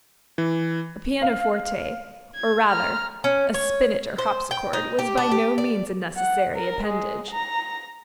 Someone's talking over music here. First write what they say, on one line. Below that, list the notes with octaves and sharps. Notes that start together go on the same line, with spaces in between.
A pianoforte, or rather a spinnet or harpsichord, was by no means a necessary appendage.
E3
F5
G#6
A#5 F6
C#4
C#5
C5
G5
D#4
G4
D4
G4
D5
F#5
A#4
G#3
A#5